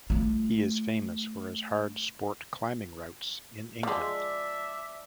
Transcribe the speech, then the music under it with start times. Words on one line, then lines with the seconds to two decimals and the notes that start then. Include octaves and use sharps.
He is famous for his hard sport climbing routes in England.
0.10 A3 F4
3.83 F3 G#3 D5 E5 A5